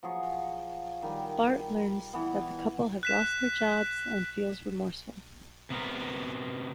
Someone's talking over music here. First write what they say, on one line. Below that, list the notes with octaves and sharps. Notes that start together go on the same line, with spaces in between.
Bart learns that the couple have lost their jobs and feels remorseful.
F3 F#3 G#4 C#6
D#3 G3
E3 B3
F#6 B6 E7
C3 B3 A#4